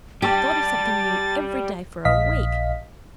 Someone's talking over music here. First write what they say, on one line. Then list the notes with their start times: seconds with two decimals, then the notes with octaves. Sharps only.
I thought of something new every day for a week.
0.22 G3 G4 A5 A6
2.05 A#1 D#5 F5 B6